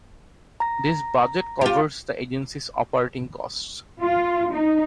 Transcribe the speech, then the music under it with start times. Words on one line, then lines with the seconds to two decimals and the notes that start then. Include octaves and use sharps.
This budget covers the Agency's operating costs.
0.60 A#5 A#6
1.61 F4 G4
4.01 F4
4.54 D#4